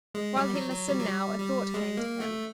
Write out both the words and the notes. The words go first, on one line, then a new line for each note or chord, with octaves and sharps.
While he listened now a thought came to him.
G#3
G3
F#3
F#3
G3
F#3
G3
G3
G#3
A#3
A3